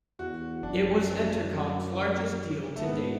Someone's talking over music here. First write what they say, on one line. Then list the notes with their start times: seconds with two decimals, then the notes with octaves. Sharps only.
It was Entercom's largest deal to date.
0.19 E2 F#4
0.62 F#2 D4
2.76 A3
2.83 G#2 B3